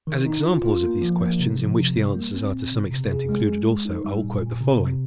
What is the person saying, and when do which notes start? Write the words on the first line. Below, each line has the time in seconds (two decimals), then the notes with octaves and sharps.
As examples of these questions, in which the answers are to some extent included also, I will quote the following.
0.07 D#3
0.26 D#4
0.45 F4
0.63 F4
0.83 A#3
1.02 F3
1.20 A#3
1.39 C3
1.59 F3
1.77 C3
1.97 G3
2.15 A#3
2.35 C4
2.53 A#2
2.72 C3
2.91 C3
3.09 G#4
3.29 G#3
3.47 G#3
3.67 G#3
3.85 D#4
4.05 G3
4.24 A#2
4.41 A#2
4.61 C3
4.80 C3